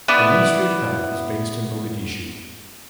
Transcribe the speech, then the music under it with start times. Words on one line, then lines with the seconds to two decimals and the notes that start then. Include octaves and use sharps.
The Ministry of Health is based in Mogadishu.
0.08 B3 E4 D5